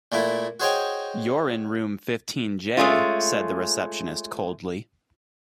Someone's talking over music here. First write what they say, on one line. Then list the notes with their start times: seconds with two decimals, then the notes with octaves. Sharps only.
You're in room fifteen J, said the receptionist coldly.
0.12 A#2 A3 A#3 E4
0.60 F#4 G#4 C5 C#5 D#5 G5
2.77 G#3 A3 C#4 F4